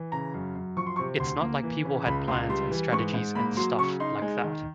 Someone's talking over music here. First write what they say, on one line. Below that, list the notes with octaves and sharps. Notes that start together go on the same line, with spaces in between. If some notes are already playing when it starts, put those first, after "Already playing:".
It's not like people had plans and strategies and stuff like that.
Already playing: E3
C#3 A#5
F#2
F#2
F3 C#6
C6
C#6
C3
D2 C6
A#3
E3
C#3
C#2 B5
C#2 C6
G3 C6
E3
G#2 C#6
G#2
A#3 B5
F#3 C6
C#3 C#6
D#4 C6
G#3
D#3